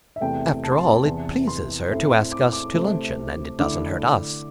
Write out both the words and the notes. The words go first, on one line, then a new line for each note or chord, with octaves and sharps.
After all, it pleases her to ask us to luncheon, and it doesn't hurt us.
E5
E2 C3 A3 G5
A5
C6
A5
E2 C3 E3
C6
A2 A3 C4 E4
D6
D6
C3 A3 C4 E4
D3 A3 E4 D6